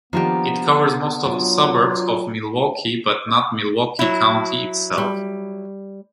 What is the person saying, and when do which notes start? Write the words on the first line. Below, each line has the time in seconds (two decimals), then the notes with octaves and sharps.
It covers most of the suburbs of Milwaukee, but not Milwaukee County itself.
0.13 D#3 F3 G#3 A#3 B3 D4 G4
1.26 F#3 D4 F4
3.99 F#3 E4
4.98 G3